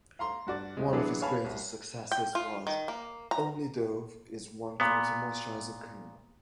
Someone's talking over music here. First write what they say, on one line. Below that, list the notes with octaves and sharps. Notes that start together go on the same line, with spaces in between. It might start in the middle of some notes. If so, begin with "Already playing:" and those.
One of his greatest successes was "Only Dove is one-quarter moisturizing cream".
F5 A#5 C6
G2 F#4 D5
D#1 G#3
E3 F#3 B3 D4 G#4
C#5 F5 G#5 A5 B5
C2
G5
F4
D#3
A#3
A#5
A#2 B3